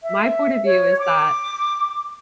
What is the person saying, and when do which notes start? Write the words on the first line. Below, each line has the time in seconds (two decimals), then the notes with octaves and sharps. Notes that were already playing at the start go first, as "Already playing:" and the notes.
My point of view is that
0.04 E5
0.64 C#5
0.98 D6